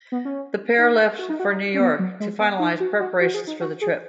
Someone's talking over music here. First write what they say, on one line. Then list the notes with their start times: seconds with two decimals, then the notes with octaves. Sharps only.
The pair left for New York to finalize preparations for the trip.
0.12 B3
0.25 C#4
0.78 D#4
1.19 F#4
1.29 D#4
1.39 F#4
1.50 D#4
1.74 C#4
1.80 B3
1.99 F#3
2.20 G#3
2.40 B3
2.59 D#4
2.80 F#4
3.00 F#4
3.21 F#4
3.34 G#4
3.47 D#4
3.61 F#4
3.81 G#4